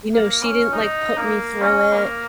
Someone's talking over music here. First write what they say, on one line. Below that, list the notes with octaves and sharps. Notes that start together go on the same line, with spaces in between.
You know, she didn't, like, put me through it,
A#3
C#4
D#4
A#3
C#4
A#3